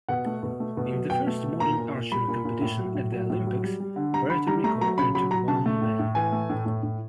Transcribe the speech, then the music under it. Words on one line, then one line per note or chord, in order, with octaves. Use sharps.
In the first modern archery competition at the Olympics, Puerto Rico entered one man.
B2 F#5
A3
B2
A3
B2
F#3
B2 G5
A3
B2
A#2 A#5
A#2
A#2
G3 B5
A#2
A#2
A2
F#3
A2
F#3
A2
F#3
G3
G3
D3
G3 A#5
D3 B5
G3 A#5
A3 A#5
F#3 A#5
C#3 B5
F#3 B5
F#3 A#5
C#3 A5
A3
A2
A2
E3 G#5
A3
A2
A2
A2